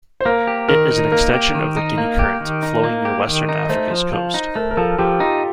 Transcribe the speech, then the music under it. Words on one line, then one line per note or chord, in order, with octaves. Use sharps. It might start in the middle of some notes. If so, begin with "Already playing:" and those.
It is an extension of the Guinea Current, flowing near western Africa's coast.
C5
A#3 A#4
G4
D#3 A#4
D#4
A#3 A#4
G4
D#3
D#4
A#3
G4
D#3
D#4
A#3
G4
D#3
D#4
A3 C5
F3
F3
D#4
A3 A#4
A#4
F3 A4
F3 G4
D#4 F4